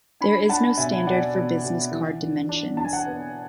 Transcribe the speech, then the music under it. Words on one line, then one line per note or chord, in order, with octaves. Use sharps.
There is no standard for the business card dimensions.
D4 G#5 B5
D4 F#5 A5
B2 E5 G#5
B2 D5 F#5
B2
B2
E3
E3
D4
D4 A5
G#5
F#5 A5
B3